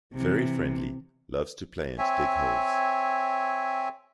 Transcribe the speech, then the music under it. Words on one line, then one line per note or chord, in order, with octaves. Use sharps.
Very friendly, loves to play and dig holes.
C3 E3
C4 C#5 E5 G#5